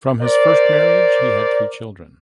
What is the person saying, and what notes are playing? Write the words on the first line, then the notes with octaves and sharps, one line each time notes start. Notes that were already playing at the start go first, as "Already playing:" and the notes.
From his first marriage he had three children.
A#4 C5 D5